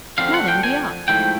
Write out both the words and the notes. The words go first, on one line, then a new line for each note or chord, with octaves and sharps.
"Now, then, be off!"
D3 F3 A3 C4 F5
F#5
G5
G#5
G#2 F3 A3 E4 G5